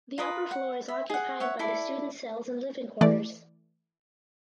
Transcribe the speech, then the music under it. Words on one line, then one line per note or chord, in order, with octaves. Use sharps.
The upper floor is occupied by the student cells and living quarters.
F4 A#4 B4 D#6
F#5
E5
G#4 F#5
C#5 E5 F#5
E4 A4 D5
E3 A3 D5